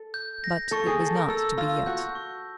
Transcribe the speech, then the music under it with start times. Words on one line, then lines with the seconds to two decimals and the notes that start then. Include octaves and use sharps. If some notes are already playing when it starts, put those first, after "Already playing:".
But it was not to be yet.
Already playing: A4
0.14 G6
0.44 A#6
0.71 A4 C#6
0.87 G#4
1.00 A4 A5
1.15 A#4
1.29 A4 E6
1.58 F4 E6
1.86 F#4 G6
2.15 C#6